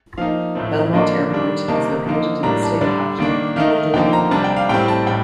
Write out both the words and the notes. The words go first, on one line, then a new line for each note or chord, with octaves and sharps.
Belmonte Airport is located in the state capital of Porto Velho.
F3 A#3 D#4 F5
A2 F3 A3 C4
D3 F3 A#3 D4 D#5
D#3 G3 D4
C3 D#3 A#3 D#4 A5
D3 F3 A#3 D#4
A2 G3 A#3 D4 A#5
A5
D3 G3 D4 D5
D#3 A#3 D4
D#3 A3 D#4 F5
D3 F3 A#3 D#4 G5
A#5
C3 G3 D4 A5
G5
F5
A2 G3 C4 G5
A5
A2 G3 G5